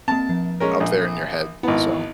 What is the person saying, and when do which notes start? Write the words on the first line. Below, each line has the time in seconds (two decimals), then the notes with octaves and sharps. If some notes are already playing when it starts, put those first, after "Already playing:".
up there in your head. So,
0.08 A#3 C4 A5
0.29 F3
0.60 G#3 C#4 A#4
0.80 A#1
1.63 G#1 B3 E4